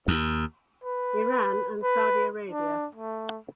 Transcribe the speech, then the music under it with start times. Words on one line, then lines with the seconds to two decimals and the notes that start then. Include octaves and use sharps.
Iran and Saudi Arabia.
0.08 D#2
0.84 B4
1.83 B4
2.51 D4
2.95 A3